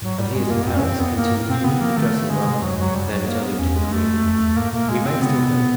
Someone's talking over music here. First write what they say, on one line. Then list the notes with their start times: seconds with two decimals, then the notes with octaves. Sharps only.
And he is in Paris?" continued he, addressing Raoul; then turning to the queen: "We may still hope.
0.02 G#2 F#3
0.18 G#2 G3
0.35 G2 G#3
0.51 F#2 A#3
0.63 B3
0.67 F2 C4
0.75 C#4
0.83 F#2 C4
1.00 F2 B3
1.16 G2 A#3
1.32 G2
1.48 B2 C4
1.64 C#3 B3
1.81 F3 A#3
1.97 D#3 A3
2.29 D3 G#3
2.46 C3
2.62 F#2 F#3
2.78 F#2 F#3
2.94 F#2 G3
3.11 F#2 F#3
3.27 A#3
3.43 B3
3.59 E2 C#4
3.75 G#3
3.92 F2 A3
4.08 F2
4.24 F2
4.40 E2
4.56 G#2 A#3
4.73 A#2 A#3
4.89 B2 G#3
5.05 C3 C4
5.21 C#3 B3
5.38 C3
5.48 A#2
5.54 B2